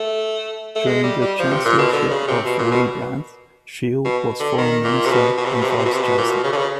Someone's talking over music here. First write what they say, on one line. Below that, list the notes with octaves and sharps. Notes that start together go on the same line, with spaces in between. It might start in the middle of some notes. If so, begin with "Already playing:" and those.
During the Chancellorship of Willy Brandt, Scheel was Foreign Minister and Vice Chancellor.
Already playing: A3
A3
G#3
G3
G3
F3
C3
A#2
B2
D3
C#3
C3
B2
A#2
B2
B2
D3
D#3
A#2
C3
B2
B2
C3
B2
C3
B2
C3
B2
C3
B2
A#2
B2
C#3
D3
C#3